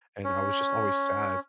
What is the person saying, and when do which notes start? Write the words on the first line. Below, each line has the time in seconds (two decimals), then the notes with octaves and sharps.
and I was just always sad,
0.24 C#4